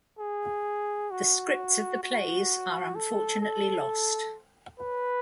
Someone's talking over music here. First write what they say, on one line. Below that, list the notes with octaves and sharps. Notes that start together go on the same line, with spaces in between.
The scripts of the plays are unfortunately lost.
G#4
F#4
F#4
A4
A4
B4